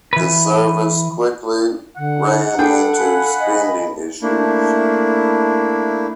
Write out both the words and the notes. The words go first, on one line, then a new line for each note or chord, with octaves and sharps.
The service quickly ran into spending issues.
E3 B4
D3 F#5
D4 G#4 A4 G5 B5
F5 G#5 B5
D#5
A3 A#3 D4 E4